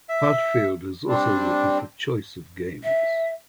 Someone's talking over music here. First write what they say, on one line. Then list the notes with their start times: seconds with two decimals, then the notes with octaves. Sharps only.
Heartfield has also written for Choice of Games.
0.09 E5
1.08 G3 C4 D4
2.83 E5